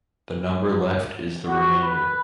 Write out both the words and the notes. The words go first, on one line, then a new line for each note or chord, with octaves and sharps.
The number left is the remainder.
F#4
B4